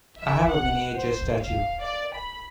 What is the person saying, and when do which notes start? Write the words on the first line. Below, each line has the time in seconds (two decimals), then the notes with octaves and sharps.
I have a miniature statue.
0.19 E5
0.50 F#5
0.95 C5
1.41 F5
1.81 D5
2.16 B5